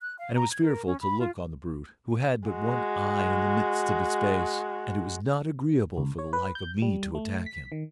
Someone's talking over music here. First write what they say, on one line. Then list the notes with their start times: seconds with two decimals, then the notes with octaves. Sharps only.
And it was fearful to look on the brute, who had but one eye in the midst of his face; and it was not agreeable for the like of me to attack him.
0.01 F#6
0.18 F5
0.35 A#5
0.51 G#6
0.62 A#4
0.87 C#4
1.01 B5
1.20 F4
2.49 G#3 F#4
5.97 C#2
6.19 C#5
6.33 B4
6.55 G6
6.82 G3
7.15 A3
7.46 B6
7.72 D#3